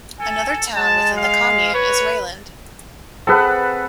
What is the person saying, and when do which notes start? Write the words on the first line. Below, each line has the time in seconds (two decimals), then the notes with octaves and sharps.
Another town within the commune is Reuland.
0.19 A4 G#5
0.76 G#3 A5
1.17 F5
1.74 F#4 B4 C#5
3.27 C4 G#4 A4 B4 F#5